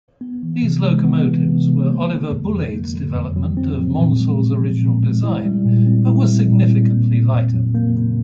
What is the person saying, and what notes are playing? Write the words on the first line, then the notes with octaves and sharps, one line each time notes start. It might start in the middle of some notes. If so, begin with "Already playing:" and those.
These locomotives were Oliver Bulleid's development of Maunsell's original design, but were significantly lighter.
B3
E3
C3
G#3
B3
E3
C3
G#3
A#3
D3
F2
F#3
A#3
D3
F2
F#3
C4
F3
A#2
G#3
C4
F3
A#2
G#3
E4
G3
A#2
C4
E4
G3
A#2
C4
A#3
C#3
F2
F#3
A#3
C#3